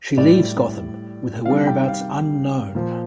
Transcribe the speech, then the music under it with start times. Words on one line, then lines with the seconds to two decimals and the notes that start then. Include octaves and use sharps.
She leaves Gotham, with her whereabouts unknown.
0.17 A2 G3 D5
1.45 C3 D#3 G3 F5
1.67 G5
1.88 F5
2.75 A#2 F3